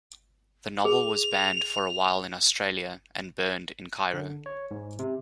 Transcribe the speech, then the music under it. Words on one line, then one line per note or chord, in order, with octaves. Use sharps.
The novel was banned for a while in Australia and burned in Cairo.
G#4 F7
D3
C#5
G#2
C3